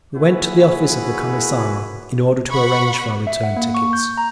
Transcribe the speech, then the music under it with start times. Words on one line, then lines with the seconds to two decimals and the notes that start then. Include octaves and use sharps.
We went to the office of the Commissar, in order to arrange for our return tickets.
0.15 A#3 E4 F#4 G#4 B4 C#5
2.50 F#5 B5 C#6
3.27 E5
3.43 F#5
3.57 A#3
3.75 C#6
3.93 G6
4.17 A#5